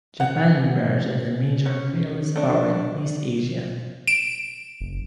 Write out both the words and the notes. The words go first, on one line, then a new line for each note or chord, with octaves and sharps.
Japan emerged as a major imperialist power in East Asia.
F#5
C#4
A3 D4
D7 E7
F#1